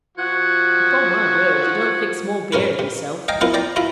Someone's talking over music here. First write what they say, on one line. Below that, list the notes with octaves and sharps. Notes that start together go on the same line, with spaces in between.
'Upon my word, you don't think small beer of yourself!
F3 F#4 F#5 F#6 G#6
C3 C#4 A#4 B4
C3
D#5 F5 G5 G#5 A#5
B3 C4 E4 F4 A#4 B4
C4 D5 G5 A#5
E4 F4 A#5 B5